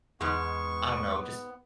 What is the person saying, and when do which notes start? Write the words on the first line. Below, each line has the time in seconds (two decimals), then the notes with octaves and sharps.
I don't know, just
0.21 E2 G#2 G#3 B3 C#6